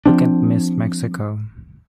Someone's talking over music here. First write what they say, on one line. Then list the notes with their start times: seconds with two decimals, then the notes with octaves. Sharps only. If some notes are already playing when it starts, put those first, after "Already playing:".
Look at Miss Mexico.
0.06 F3 C4 D4